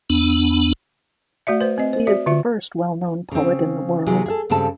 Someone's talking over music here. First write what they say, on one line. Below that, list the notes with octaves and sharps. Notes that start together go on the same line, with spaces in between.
He is the first well known poet in the world.
E2 B3 D4
A3 F#4 D5 E5
B4 C5
C4 D#5
C5
F#4 D5 E5
D3 F4 E5
C#3 C4
C3 F#3 G#4
G#4 A4
G2 C#3 G3 C4 A4 A5